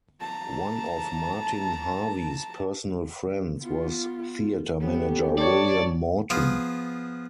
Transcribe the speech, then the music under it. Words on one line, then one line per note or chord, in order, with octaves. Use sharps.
One of Martin Harvey's personal friends was theatre manager, William Morton.
A5 A#5
B3 F4
B3 C#4 G4 A4
C#5 D5 A5
F3 B3 F4 G#4